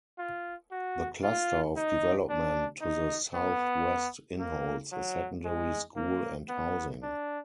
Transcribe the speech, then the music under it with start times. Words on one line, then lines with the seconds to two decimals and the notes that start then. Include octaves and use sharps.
The cluster of development to the southwest inholds a secondary school and housing.
0.18 F4
0.71 F#4
1.23 F4
1.77 D#4
2.29 D4
2.81 D#4
3.34 B3
4.39 A#3
4.92 F#3
5.45 G#3
5.96 A#3
6.49 B3
7.03 D4